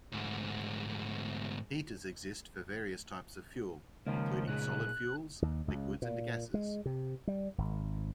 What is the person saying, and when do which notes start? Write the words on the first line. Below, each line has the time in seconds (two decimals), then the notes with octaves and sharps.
Heaters exist for various types of fuel, including solid fuels, liquids, and gases.
0.12 D2 G#2
4.06 C#2 D#3 F3 A#3
4.47 A#2 D#4 G#4 F#6
5.42 D#2
5.68 C#2
6.02 A#2
6.54 G#3
6.86 C3
7.27 G3
7.58 G#1